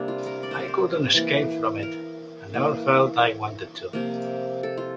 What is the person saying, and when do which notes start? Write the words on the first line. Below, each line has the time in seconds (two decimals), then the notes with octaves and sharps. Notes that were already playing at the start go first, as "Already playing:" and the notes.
I couldn't escape from it, and never felt I wanted to.
Already playing: C3 G3 A#3 D4
0.08 F4
0.26 A#4
0.43 D5
0.51 C5
0.60 A#4
0.68 C5
1.14 E3 A#3
1.83 A#4
2.54 E3 A#3
3.93 C3 F3 A#3
4.63 A4
4.78 F4